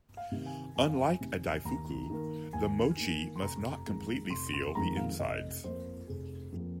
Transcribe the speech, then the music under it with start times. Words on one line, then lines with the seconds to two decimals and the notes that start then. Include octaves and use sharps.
Unlike a "daifuku", the "mochi" must not completely seal the insides.
0.17 F5
0.32 C3 D#3
0.46 G#5
0.76 F2 G#5
0.89 F5
1.02 G#5
1.21 C3 D#3
1.65 D#2 A#5
2.10 D#3 A#3
2.53 D#2 G#5
2.97 D#3 A#3
3.36 C6
3.42 F1 A#5
3.87 F2 D#3 G#3
4.30 F1 C6
4.53 C6
4.75 F2 D#3 G#3 A#5
4.97 F5
5.19 F1 D#5
5.64 F2 F3 A#3 C5
6.08 F1 G#4
6.52 F2 F3 A#3